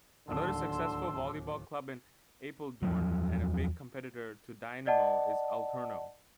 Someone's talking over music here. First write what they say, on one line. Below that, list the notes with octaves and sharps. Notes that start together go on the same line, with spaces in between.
Another successful volleyball club in Apeldoorn, and a big competitor to Dynamo, is Alterno.
D1 D#2 D3 A5 C6 E6
E2 F3 F#3
D5 D#5 F#5 A5